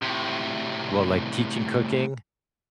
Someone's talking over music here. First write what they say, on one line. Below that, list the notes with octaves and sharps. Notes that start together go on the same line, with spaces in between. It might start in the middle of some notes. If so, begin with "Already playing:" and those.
well, like teaching cooking,
A2 C3